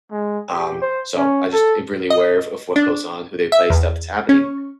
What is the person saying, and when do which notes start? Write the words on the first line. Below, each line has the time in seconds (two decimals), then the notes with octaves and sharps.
Um, so I just really aware of what goes on, who they play, stuff that's happening,
0.12 G#3
0.53 G4
0.82 C5
1.17 C#4
1.53 A4
2.10 D#5
2.76 D4
3.52 E5
3.70 E2
4.29 C#4